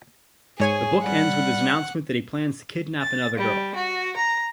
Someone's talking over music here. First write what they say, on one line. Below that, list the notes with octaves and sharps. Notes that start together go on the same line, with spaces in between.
The book ends with his announcement that he plans to kidnap another girl.
G#2 G#4 C#5 G#5
G3 F#5
A6
G3
F#4
A#5